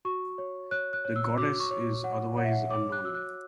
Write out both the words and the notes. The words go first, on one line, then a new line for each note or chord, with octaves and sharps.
The goddess is otherwise unknown.
F#4 C#6
C#5
C#5 F#6
F#6
C#5
E6
F#4 D6
C#6
C#5
C#5 F#5
C#5 F#5
E5
F#5
C#5 D6
F#6
F#4 E6
F#6